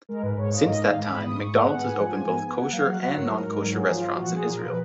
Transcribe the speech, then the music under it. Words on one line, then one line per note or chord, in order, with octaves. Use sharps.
Since that time, McDonald's has opened both kosher and non-kosher restaurants in Israel.
G#3 A#4
G#2 B4
B4
G#2 C#5
A#3 D#5
G#2 D#5
D#3 F5
G#2 B5
G#2
D#6
G#2
G#2 C#6
G#3 F#5
B3 F#5
G#2 G#5
F#5
F3 G#5
G#2
B3
B3
A#3 F#5
F#3 F5
F#3 F#5
F#3 F#5
G#2 A#4
G#2
G#2
F#3
A#3 G#4
F3 F4
F3
F#4
A#2
A#2 G#4
F3 A#4
A#2 B4